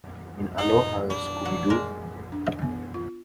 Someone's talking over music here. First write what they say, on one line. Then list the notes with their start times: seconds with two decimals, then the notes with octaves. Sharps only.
In Aloha, Scooby-Doo!
0.58 D#4 F#5
1.10 G3 D4
1.45 B2 F#3 F#5
1.70 G#3 A#4
2.32 D4
2.62 B3
2.94 F4